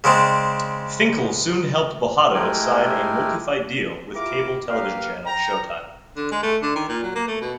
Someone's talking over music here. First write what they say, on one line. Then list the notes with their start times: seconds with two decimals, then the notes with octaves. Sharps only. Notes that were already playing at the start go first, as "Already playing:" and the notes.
Finkel soon helped Bojado sign a multi-fight deal with cable television channel Showtime.
0.04 C#3 G#3 C4 D4
2.34 G#3 A3 E4 G4 A#4 G#5
4.14 E4 F4 G4 A#4 E5 D6
4.69 A#3 G4 A#4 B4 F5
5.26 G5 A#5
6.17 D3
6.31 G#3
6.43 A3
6.63 D3
6.76 D#3
6.89 A#2
7.03 F#3
7.15 A#3
7.28 A3
7.42 B2